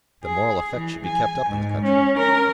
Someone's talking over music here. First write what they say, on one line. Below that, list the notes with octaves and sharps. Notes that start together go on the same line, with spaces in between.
The moral effect should be kept up in the country.
G#4
E3
G#5
G#2
C#4
A#4